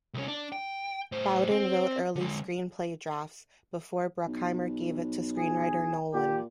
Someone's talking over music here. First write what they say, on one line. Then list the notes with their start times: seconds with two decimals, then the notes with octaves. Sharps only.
Bowden wrote early screenplay drafts, before Bruckheimer gave it to screenwriter Nolan.
0.14 C2 C#4
0.28 D4
0.52 G5
1.12 A2 C5
1.51 C4 C5
2.16 D3 G#3
4.27 B1
5.38 G#4
6.14 A#2 G4